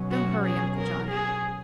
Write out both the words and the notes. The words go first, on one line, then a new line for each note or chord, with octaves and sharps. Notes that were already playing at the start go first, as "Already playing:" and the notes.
Don't hurry, Uncle John.
Already playing: B2 F#3 C#4
F#4
G#4
A#4
G#4